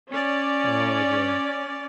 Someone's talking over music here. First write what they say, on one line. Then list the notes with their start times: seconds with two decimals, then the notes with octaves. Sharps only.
Oh, yeah.
0.12 C#4 D5